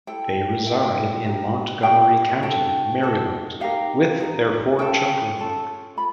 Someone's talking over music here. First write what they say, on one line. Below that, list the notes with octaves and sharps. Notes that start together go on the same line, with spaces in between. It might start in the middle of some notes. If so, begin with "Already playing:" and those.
They reside in Montgomery County, Maryland with their four children.
E4 A4 G5
E4 A4 G5
D4 G4 A#4
D4 G4 A#4 G5
D#4 F#4 A4 G5
D#4 F#4 A4
D#4 G4 A#4 F5
D#4 G4 A#4
C#4 F4 A4 G5
C#4 F4 A4
F4 B5